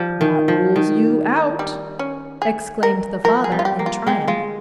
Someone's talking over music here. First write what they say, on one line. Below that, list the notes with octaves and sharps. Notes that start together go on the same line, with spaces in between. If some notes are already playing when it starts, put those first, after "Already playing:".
"That rules you out!" exclaimed the Father, in triumph.
Already playing: F3 G3
D#3
F3
D#3
G3
C#4
G#4
A#4
F3 A#4
G#4
G3
F4
G4
A#3
F4
G#3 G4
G#3 F4